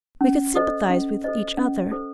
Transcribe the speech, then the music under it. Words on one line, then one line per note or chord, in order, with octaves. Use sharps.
We could sympathize with each other.
C#4
A4 C5 D#5
C#4
A4 C5 D#5
C#4
A4 C5